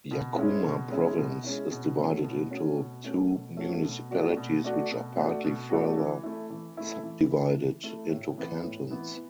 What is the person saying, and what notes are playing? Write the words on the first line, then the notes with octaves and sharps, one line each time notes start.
Yacuma Province is divided into two municipalities which are partly further subdivided into cantons.
B2
G#3 C#4 E4
B2
G#3 C#4 E4
B2
G#3 C#4 E4
B2
A3 C#4 F#4
B2
A3 C#4 F#4
B2
A3 C#4 F#4
B2
A3 C#4 F#4
B2
A3 D4 F#4
B2
A3 D4 F#4
B2
A3 D4 F#4
B2
A3 D4 F#4
E3
A3 E4
E3
A3 E4
E3
A3 E4
E3
A3 E4
A2
E3 B3 E4
A2
E3 B3 E4